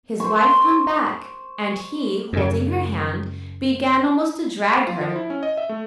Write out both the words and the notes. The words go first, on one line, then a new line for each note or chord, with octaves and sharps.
His wife hung back, and he, holding her hand, began almost to drag her.
C5 C#6
F#2 C#3
F4
F3
E4
C#4
D#5
E5
A3